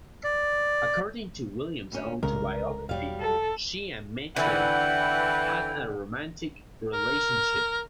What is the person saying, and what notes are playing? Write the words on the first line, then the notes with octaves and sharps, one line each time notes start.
According to William's autobiography, she and Mature had a romantic relationship.
D5
D2 C#4
C2 C#3 G#3 A#4
E1 F#3 G3 F5
A4
D3 E3 B3 F#5 G5
A#4